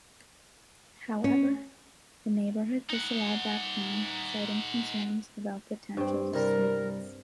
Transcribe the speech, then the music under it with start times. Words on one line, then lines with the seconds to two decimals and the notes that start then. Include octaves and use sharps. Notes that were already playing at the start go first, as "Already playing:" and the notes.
However, the neighborhood disallowed that plan, citing concerns about potential disturbance.
1.24 C#4
2.90 D#4 F#5
5.97 G2 C4
6.34 C2 G3 A#4